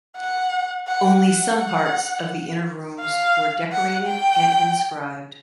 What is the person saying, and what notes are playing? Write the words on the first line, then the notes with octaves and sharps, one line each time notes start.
Only some parts of the inner rooms were decorated and inscribed.
F#5
F#5
F#5
F5
F#5
G5